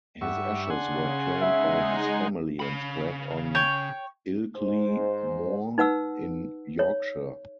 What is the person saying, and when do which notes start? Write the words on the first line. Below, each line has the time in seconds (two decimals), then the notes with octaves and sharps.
His ashes were claimed by his family and spread on Ilkley Moor in Yorkshire.
0.21 G2 E5 F#5 C#6
0.70 C#3 D4 F#5 G#5 C6
1.41 G#3 D#4 E5
2.60 C#3 B5
3.55 C#5 G5
4.57 G#2 C5
5.78 D#4 B4 F#5 E6
6.79 C#5